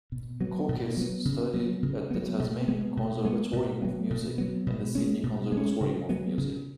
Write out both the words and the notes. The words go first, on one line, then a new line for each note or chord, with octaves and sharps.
Koukias studied at the Tasmanian Conservatorium of Music and the Sydney Conservatorium of Music.
B2
F#3 B3
B2
F#3 B3
C#3
F#3 B3
C#3
F#3 B3
B2
G#3 B3
B2
G#3 B3
B2
F#3 B3
B2
F#3 B3
B2
G#3 C#4
B2
G#3 C#4
C#3
F#3 B3
C#3